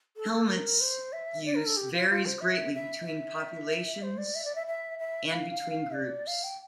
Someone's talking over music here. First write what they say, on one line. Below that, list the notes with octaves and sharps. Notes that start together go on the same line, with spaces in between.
Helmets use varies greatly between populations and between groups.
A4
A4
A#4
C5
E5
D5
A#4
A4
G4
F4
F4
C5
E5
E5
E5
C5
D5
E5
D5
E5
E5
E5
F5
D5
F5
G5